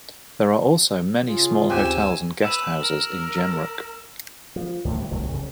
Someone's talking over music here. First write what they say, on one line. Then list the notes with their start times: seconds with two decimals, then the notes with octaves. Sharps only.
There are also many small hotels and guest houses in Jemruk.
1.26 C#3 F4 G#4
1.70 D#2 C4 G4 G#5 E6 F#6
2.43 B4 E6 E7
2.82 A#4
4.56 F3
4.85 D2 A2 D3
4.99 A#2 G3
5.11 D1 C2 D#3 F#3
5.32 C2 C#3